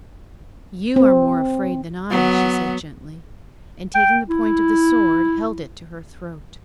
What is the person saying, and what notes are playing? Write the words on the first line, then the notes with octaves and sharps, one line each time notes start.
'You are more afraid than I,' she said gently, and taking the point of the sword held it to her throat.
C4
F#3 B3
G5
E4